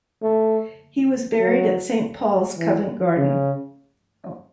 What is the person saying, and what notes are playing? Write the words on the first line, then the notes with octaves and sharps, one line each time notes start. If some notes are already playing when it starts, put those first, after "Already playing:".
He was buried at Saint Paul's church, Covent Garden.
A3
F#3
E3
C#3